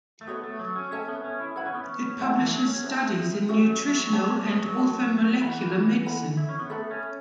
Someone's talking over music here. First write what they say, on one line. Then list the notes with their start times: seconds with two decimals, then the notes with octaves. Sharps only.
It publishes studies in nutritional and orthomolecular medicine.
0.21 A3
0.27 B3 F#4 A4 C#5
0.43 A3
0.59 F#3
0.75 C#4
0.91 C#4 A4 E5 A5
1.08 B3
1.24 C#4
1.40 E4
1.56 E4 B4 F#5 B5
1.66 C#4
1.74 B3
1.84 C#4
2.20 E4 B4 F#5 A5
2.37 E3
2.48 A3
2.53 F#3
2.68 C#4
2.84 B3 B4 E5 A5
3.49 A3 C#4 F#4 A4 E5
3.65 F#3
3.81 F#3
3.97 F#3
4.04 E3
4.13 F#3 B4 A5
4.24 B3
4.29 C#4
4.45 B3
4.61 F#3
4.77 F#3 F#4 A4 C#5 A5
5.41 E3 B4 F#5 B5
6.06 A4 F#5 B5
6.37 E4
6.49 C#4
6.59 B3
6.70 A3 A4 E5 B5
6.91 C#4